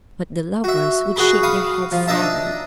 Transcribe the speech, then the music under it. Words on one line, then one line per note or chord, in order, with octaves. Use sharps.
But the lovers would shake their heads sadly.
F#4 E5
F#4 G#4 B5
F5 B5 C#6 D#6
F3
D4 D#4 D#5 E5 A5